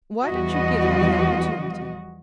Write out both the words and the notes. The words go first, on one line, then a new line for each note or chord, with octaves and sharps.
"Why don't you give him the opportunity?"
E2 E3 F3 G3 F#4 D#5